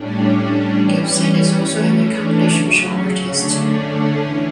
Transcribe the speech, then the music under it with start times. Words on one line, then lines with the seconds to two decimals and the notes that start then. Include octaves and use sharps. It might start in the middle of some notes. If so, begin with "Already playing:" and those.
Gibson is also an accomplished visual artist.
Already playing: A2 G3 C#4 D4
0.75 E3 G3 C#4
1.18 C#4
1.62 E3 A3 C#4
2.05 D4
2.48 C#3 F#3 C#4
3.34 D3 A3 C#4 D4
3.77 C#4
4.21 E3 C#4